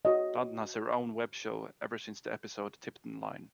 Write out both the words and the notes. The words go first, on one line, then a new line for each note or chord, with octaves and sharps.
London has her own web-show, ever since the episode Tiptonline.
F#4 C#5 D#5